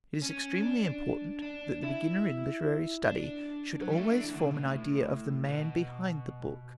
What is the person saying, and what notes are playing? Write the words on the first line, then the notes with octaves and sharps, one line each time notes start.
It is extremely important that the beginner in literary study should always form an idea of the man behind the book.
C#4
D4
D4
E4
D4
F#3
G3
A3
D4
E3
D3
B2
B2
A2
B2